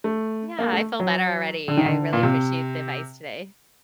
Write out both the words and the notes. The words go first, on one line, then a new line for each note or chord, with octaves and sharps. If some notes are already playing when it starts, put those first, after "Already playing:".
Yeah, I feel better already. I really appreciate the advice today.
A3
A#3
A3
F#3
D3
D#3
D3
A#2
C3